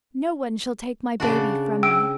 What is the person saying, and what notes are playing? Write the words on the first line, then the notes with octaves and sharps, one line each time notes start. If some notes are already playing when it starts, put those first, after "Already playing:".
No one shall take my baby from me.'
C#3 D4 F#4
G5 E6 D7